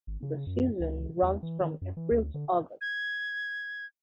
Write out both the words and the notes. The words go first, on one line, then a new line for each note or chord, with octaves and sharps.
The season runs from April to August.
G#1
C#3
F#2
C#2
E2
E3
D#3
F#2
E3
D2
D3
G#6